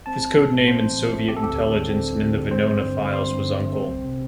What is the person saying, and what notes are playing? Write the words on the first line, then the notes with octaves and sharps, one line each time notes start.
His code name in Soviet intelligence and in the Venona files was "Uncle".
C4 A5
A1
A2
A3
C4 C5
A1
A2
A3
C4 G4
A4
D2 G4
D3
G3
C4
D2
D3
G3
C4 C5
G2
D3
A3
C4 C6
G2
D3
A3
C4
C2
C3